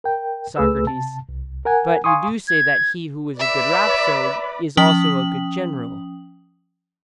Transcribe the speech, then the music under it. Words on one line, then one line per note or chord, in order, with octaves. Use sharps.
SOCRATES: But you do say that he who is a good rhapsode is also a good general.
A#4 G5
C#2 A3 G#4 B4 E6
C3 A5
C2
A#4 F#5 G#5
F5 G#5 C6 C#6 D#6
G#6
B4 D5 E5 B5
F3 C#4 G5 D#6 F#7